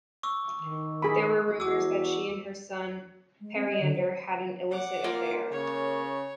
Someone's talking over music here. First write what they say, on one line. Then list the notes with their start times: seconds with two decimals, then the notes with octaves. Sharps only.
There were rumors that she and her son Periander had an illicit affair.
0.23 C#6 D6 E6
0.62 D#3
1.02 G#4 B5
1.60 E2 F#4 D6 E6
3.41 G#3
3.54 C4
3.68 D#5
3.81 D3
3.96 C5
4.70 F#5 D6
5.04 A#3 F4
5.51 C#3 C#5